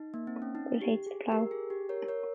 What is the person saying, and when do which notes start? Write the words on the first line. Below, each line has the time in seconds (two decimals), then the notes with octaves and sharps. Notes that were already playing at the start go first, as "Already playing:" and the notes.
But it hates the plow!
Already playing: D#4
0.14 A#3
0.27 C4
0.42 C#4
0.55 D#4
0.81 G4
1.06 G#4
1.32 G4 A#4
1.51 G#4
1.70 G4
1.89 A#4 C#5
2.08 A#4 C#5